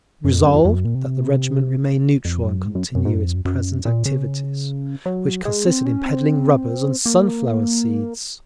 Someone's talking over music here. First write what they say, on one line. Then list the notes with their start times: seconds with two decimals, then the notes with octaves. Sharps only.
Resolved, that the regiment remain neutral, and continue its present activities--which consisted in peddling rubbers and sunflower seeds!
0.25 F#2
0.35 F2
0.45 F#2
0.54 F2
0.65 F2
0.75 F#2
0.85 A#2
0.95 C3
2.25 F2
2.45 F#2
2.65 G#2
2.75 F#2
2.95 F#2
3.05 G#2
3.15 F#2
3.25 F2
3.35 F#2
3.45 F#2
3.85 A#2
4.06 C#3
5.06 F#3
5.45 G#3
5.66 C4
5.86 C#4
6.06 C4
7.06 A#3